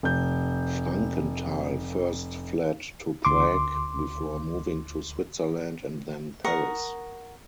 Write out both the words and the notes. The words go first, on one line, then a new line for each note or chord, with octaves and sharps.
Frankenthal first fled to Prague before moving to Switzerland and then Paris.
F1 G6
D2 C6 D6
A#4 F#5 C#6 D#6